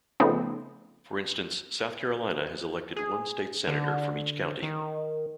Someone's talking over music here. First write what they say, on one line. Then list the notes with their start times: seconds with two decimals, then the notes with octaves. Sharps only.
For instance, South Carolina had elected one state senator from each county.
0.20 C#3 F3 A3 B3 C4 D#4
2.96 G#4
3.67 D3
4.63 D#3